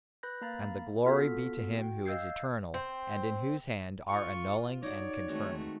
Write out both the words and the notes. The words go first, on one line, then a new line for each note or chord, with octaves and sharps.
And the glory be to Him who is eternal and in whose hand are annulling and confirming.
B4 B5 F#6 G6 A#6
A#3 F5 A#5 B5 A6
B3 F4 F#4 A4 F6 B6
F#4 G5
D#5 F5 E6 G6 G#6 C7
C4
F4 C#6
D#4 F#4 C#5 D5
D#3 G#3 A3 C4 F#4